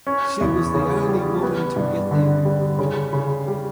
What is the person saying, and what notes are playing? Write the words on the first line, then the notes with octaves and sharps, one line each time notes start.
She was the only woman to get the award.
C#4
E2
C#3
G3
B3
G2
D3
G3
C#3
C#3
G3